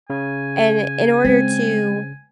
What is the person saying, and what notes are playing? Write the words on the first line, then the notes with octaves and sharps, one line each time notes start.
And i in order to
C#3 G#5
G#3 C4